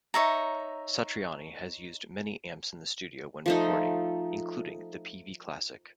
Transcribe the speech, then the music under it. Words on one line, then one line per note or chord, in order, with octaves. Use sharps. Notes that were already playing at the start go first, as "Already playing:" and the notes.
Satriani has used many amps in the studio when recording, including the Peavey Classic.
D#4 C#5 E5 A#5
F3 A3 D#4